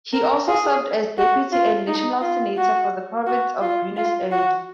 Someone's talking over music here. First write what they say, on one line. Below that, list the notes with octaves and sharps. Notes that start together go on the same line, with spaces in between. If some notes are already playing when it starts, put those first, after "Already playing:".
He also served as deputy and national senator for the Province of Buenos Aires.
A#4
G#4
F#4
F4
D#4
F4
F#4
F#4
F4
F4
F#4